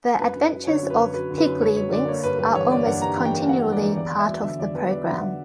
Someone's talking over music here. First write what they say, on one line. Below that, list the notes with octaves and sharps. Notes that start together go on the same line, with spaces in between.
The Adventures of Piggley Winks, are almost continually part of the programme.
F#2 B4
F#2
F#3
D3 C#5
F#2
B4
F#2
F#3 B4
D3
B4
F#2
F#2 C#5
F#3 C#5
D3 D5
A#3 C#5
G2 B4
G3 B4
E3 C#5
A#3 D5
G2 F#5
G3 A#5
E3
G5
A#3
G2 F#5
G3
D5
E3
E2 D5
E2
E5
F#3
D3 E5
E2 D5
E2 B4
F#3 D5
D3 E5
F#5